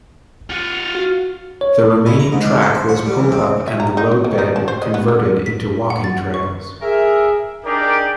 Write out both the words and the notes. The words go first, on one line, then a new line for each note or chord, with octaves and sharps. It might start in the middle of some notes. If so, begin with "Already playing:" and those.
The remaining track was pulled up and the roadbed converted into walking trails.
F4 F#5
F#4
C#5
E4
A#5
G#2
D4
A4
C5
F#5
G3
E3
C4
E5
A#5
D#4
F#3
D#3
D#4
A5
C5
D#5
B3
D3
B6
F#5
A6
C#6
G#4 A#4 E5
D4 D#4 G4 G#4 A#4 D5